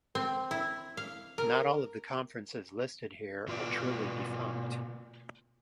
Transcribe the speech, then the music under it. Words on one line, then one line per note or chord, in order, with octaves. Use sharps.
Not all of the conferences listed here are truly defunct.
C4
E4
F5
A#4
B2 F4 B4 D5